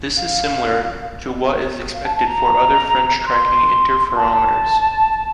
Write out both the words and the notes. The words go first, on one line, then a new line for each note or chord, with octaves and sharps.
This is similar to what is expected for other fringe tracking interferometers.
F5
F5
A5
A5
A#5
C6
A5